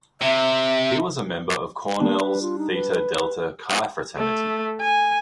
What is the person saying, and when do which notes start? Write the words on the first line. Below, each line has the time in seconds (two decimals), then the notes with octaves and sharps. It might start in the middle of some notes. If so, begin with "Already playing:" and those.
He was a member of Cornell's Theta Delta Chi fraternity.
0.21 C3 E5
1.99 G3 A#3 D4
2.20 B4
2.42 F4
2.58 D#4
2.74 B4
4.17 A3
4.81 G#5